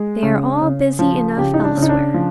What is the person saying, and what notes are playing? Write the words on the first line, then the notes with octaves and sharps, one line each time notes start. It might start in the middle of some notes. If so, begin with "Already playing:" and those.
They are all busy enough elsewhere.
Already playing: G#3 G#4
C#3
C#3
F3
C#3 G4
D#4
D4
C#3
D#4
D4
F3